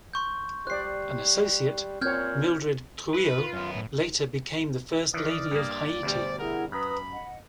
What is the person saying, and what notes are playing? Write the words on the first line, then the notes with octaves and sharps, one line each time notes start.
An associate, Mildred Trouillot, later became the first lady of Haiti.
C6 C#6 G6
G3 C5 D5 F#6 C7
A#2 C4 C#5 F6 G6 G#6
B4
F4
F#2 B3
A2
D#3 E3 D5 D#6 F6
G2 A#3
D2 B2 G3 G4 C5
E4 G#4 A#4 F#5
F#2 B4 A#5 B5 D#6
D#5 F#5